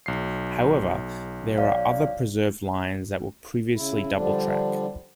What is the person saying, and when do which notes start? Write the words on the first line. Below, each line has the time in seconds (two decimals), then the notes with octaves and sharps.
However, there are other preserved lines that were previously double track.
0.06 B1 C7
1.58 C#5 D5 F5
3.76 C#3 E4
4.15 D3 F3 G3 D4